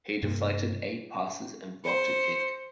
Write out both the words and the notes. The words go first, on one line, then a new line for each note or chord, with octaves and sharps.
He deflected eight passes and blocked a kick.
G2 C3 G3 A#3
C5 C#7